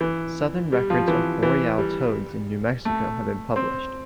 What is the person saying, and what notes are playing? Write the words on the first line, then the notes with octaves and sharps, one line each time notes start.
Southern records of boreal toads in New Mexico have been published.
E3
G3
F3
E3
E3
G3
A3
C4